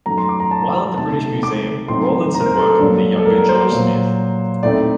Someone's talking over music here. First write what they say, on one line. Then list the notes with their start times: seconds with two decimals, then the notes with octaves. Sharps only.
While at the British Museum, Rawlinson worked with the younger George Smith.
0.06 F#2 D#3 F#3 A3 A#5
0.18 C6
0.29 D6
0.40 A#5
0.51 A5
0.97 C3 D#3 A3 D#4 A5
1.43 D6
1.88 A2 F#3 C4 D#4 C6
2.35 A#5
2.41 A#4
2.46 C5
2.57 A4
2.69 A4
2.79 G2 F#3 A#3 D4
3.18 A4
3.25 A#4
3.38 A#4
3.49 C5
3.72 A#2 F#3 A#3
4.63 A2 A3 C4 D#4 D5